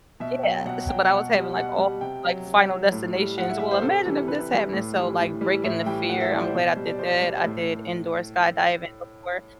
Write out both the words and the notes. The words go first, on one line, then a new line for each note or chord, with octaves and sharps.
Yeah. So, but I was having like all these, like, final destinations, "Well, imagine if this happened," and so like breaking the fear, I'm glad I did that. I did indoor skydiving before.
B2 E5
F#3 G5
B2 F#5
F#3 G5
B2 F#5
G3
B2 F#5
G3
C3 G5
F#3
C3
F#3
A2
G3
A2 F#5
E5
G3 E5
C5
C3 A4
E3 G3
C3 B4
E3 G3
A2
E3 G3
A2
E3 G3
A2 E5
E3 G3 G5
A2 F#5
E5
E3 G3 D5
C5
B2
G3
D5
B2 C5
G3
A2